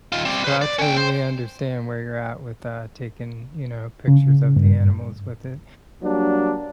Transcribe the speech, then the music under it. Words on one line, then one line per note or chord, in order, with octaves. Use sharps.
so, I totally understand where you're at with, uh, taking, you know, pictures of the animals with it,
D#3 F4
C4 D5
B4 C5
D5
C#4 G5
C5
C#3
G2
F#3 G3 A#3 D4